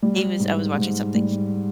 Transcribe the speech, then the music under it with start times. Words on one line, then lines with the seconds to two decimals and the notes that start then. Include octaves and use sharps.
he was I was watching something,
0.02 G3
0.39 G#2
0.77 G#2
1.15 G3